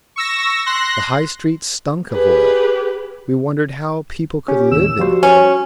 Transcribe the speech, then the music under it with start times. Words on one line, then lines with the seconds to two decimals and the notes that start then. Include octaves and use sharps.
The High Street stunk of oil; we wondered how people could live in it.
0.16 C#6 E6 A#6
0.66 C6 F#6 A#6
2.11 G4 G#4 B4
4.48 C#4 G4
4.72 D#2 A2 E6
4.99 F3 G3 F#4 C5
5.23 C#4